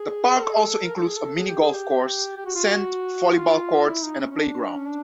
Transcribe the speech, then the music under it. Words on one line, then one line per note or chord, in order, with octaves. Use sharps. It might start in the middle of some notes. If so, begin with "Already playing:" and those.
The park also includes a mini golf course, sand volleyball courts and a playground.
Already playing: G#4
A#4
A4
G#4
A4
A#4
A4
G#4
A4
G#4
G4
G#4
G4
G4
F#4
F4
F#4
F#4
F4
E4
D#4
C#4
C#4
D4
C#4
D4